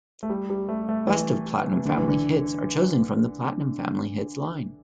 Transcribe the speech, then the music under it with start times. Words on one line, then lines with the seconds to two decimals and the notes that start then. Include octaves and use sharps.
Best of Platinum Family Hits are chosen from the Platinum Family Hits line.
0.23 A3
0.30 G3
0.50 G3
0.69 A3
0.89 A3
1.07 E3
1.85 D3
1.97 E3
2.08 D3